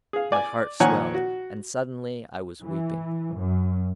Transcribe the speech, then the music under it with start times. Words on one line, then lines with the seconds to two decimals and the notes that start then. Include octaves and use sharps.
My heart swelled, and suddenly I was weeping.
0.13 G#4 F5
0.32 D5 G#5
0.80 A#2 D#3 F3 C#5 F#5 G#5
1.14 F#4
2.64 E3
3.36 F#2